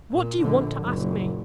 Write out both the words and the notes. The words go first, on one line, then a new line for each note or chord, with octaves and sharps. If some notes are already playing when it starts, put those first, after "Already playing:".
"What do you want to ask me?"
A#2
A#1 D3
F#1 A#2